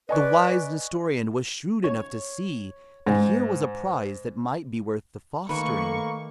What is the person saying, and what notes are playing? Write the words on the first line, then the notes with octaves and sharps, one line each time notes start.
The wise Nestorian was shrewd enough to see that here was a prize that might be worth the fostering.
B4 D5 D#5 G#5 C#6
C#5
G#2
D#3 A3 A#3 B4 C#6